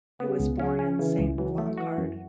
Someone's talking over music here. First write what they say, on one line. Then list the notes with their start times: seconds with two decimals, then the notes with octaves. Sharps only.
He was born in Saint-Blancard.
0.20 C#3 B3
0.40 C#2
0.60 C#3 C#4
0.79 C#4
0.99 C#3 E3
1.19 C#2
1.38 E3 F#3
1.58 A3
1.77 E3 F#4
1.98 F#2